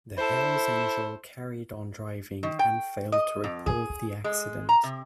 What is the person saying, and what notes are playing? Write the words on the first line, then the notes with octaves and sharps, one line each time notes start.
The Hell's Angel carried on driving and failed to report the accident.
E4 A4 C5
D#3
G5
D#5
F2
G#4
G#3
A#5
C3